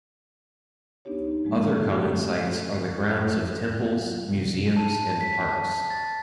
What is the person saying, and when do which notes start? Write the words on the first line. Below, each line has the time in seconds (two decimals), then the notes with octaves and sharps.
Other common sites are the grounds of temples, museums, and parks.
1.05 B3 D4 D#4 G4 C#5
1.43 G#2 F3 G#3 A#3
1.90 A#2 D3 A3 F#4 G4
2.91 F#2
3.38 F2
3.59 A2
3.85 F#3
4.35 C3
4.76 A5
5.21 B6
5.48 A5
5.90 A6